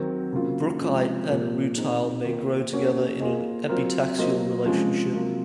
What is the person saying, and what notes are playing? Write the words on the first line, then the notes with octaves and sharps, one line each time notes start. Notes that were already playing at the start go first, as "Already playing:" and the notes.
Brookite and rutile may grow together in an epitaxial relationship.
Already playing: D#3 F#3 C4
C#3 F#3 A#3 F4
C3 F3 G#3 C#4
A#2 F3 A#3
C4 D#4 G#4
D#3 A#3 F4
A#3 C#4 F#4 C#5
A#3 F4 G#4 D#5
F#3 C4 F4 A#4
F#3 A#3 F4 C5 D#5
C3 F3 G#3 C#4 F4
C3 F#3 A#3 F4